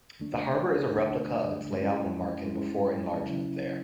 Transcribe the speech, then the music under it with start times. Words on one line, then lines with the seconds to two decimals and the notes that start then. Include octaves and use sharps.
The harbor is a replica of its layout on Marken before enlargement there.
0.20 D2 D3 A3 D4
0.95 D2 D3 A3 D4
1.71 A2 G#3 C#4 E4
2.46 A2 G#3 C#4 E4
3.22 C#3 F#3 C#4 E4